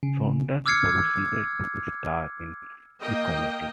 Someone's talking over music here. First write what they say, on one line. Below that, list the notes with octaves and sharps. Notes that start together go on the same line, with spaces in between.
Saunders proceeded to star in the comedy.
C#3
D6 E6 F6 G#6 C7 C#7
A#3 D#5 G5